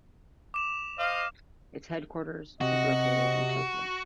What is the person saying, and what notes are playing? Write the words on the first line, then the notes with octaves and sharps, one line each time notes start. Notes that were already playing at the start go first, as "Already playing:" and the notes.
Its headquarters is located in Tokyo.
D6 E7 F7
C5 D#5 F5
C3 F#4 D#5